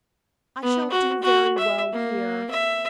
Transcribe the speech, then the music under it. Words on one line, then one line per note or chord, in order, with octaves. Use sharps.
I shall do very well here.
B3
F#4
F#4
E5
A#3
E5